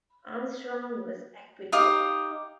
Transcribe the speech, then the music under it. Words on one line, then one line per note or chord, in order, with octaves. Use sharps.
Armstrong was acquitted.
D#4 G4 F5 D#6